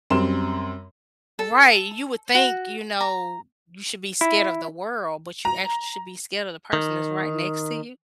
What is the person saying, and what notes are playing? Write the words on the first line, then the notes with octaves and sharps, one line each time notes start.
Right. You would think, you know, you should be scared of the world, but you actually should be scared of the person that's right next to you.
F#2 G3 C4 C6 E7
A4
F#4
A#5
E4
A#5
D#3